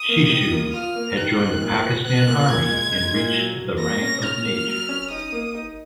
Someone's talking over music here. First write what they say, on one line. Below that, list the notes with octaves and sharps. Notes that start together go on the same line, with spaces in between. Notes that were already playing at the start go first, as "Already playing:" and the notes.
Shishu had joined the Pakistan Army and reached the rank of Major.
Already playing: D#6
A#3
D#3
A#3
F4 F6
A#3
D#3 F#6
D#3
A#2
B3
B3 F#6
A#2
A#2 G#6
G#3
G#3
A#2
F#3
F#3
A#3 A#6
C#4
C#4 F6
A#3
F#3
C#4
D#4 D#6
A#3
D#4